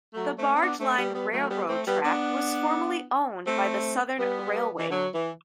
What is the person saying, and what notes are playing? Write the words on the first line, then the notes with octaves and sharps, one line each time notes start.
The Barge Line Railroad track was formerly owned by the Southern Railway.
F#3 A3
A3 C4
C4
B3 D4
A3 C4
G3 B3
G3 B3
F#3 A3
G3 B3
A3 C4
G3 B3
B3 D4
A3 C4
G3 B3
E3
D3 F#3
E3